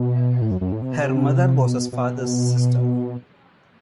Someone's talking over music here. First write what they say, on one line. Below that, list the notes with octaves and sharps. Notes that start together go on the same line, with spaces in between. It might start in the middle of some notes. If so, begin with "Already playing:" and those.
Her mother was his father's sister.
Already playing: B2
A2
F#2
F#2
A2
C3
B2
C3
B2
B2